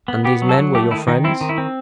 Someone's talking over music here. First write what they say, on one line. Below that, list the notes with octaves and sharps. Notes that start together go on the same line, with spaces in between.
"And these men were your friends?"
B3
B3 G4
F#3
A4
F#3
A3 G4
D#3 E4
D#3 D#4
C4 E4
D#3
E4
C4